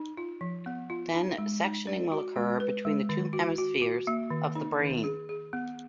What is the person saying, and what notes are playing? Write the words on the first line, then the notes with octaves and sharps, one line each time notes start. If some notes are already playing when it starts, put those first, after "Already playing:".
Then sectioning will occur between the two hemispheres of the brain.
Already playing: D#4
F4
F3
B3
F4
D#4
G#3
D#4
D5
F#4
G#3
B4
G#3
D#3
F#4
F#4
F#4
A#3
D#3
D#4
D#3
G#4
G#4
B3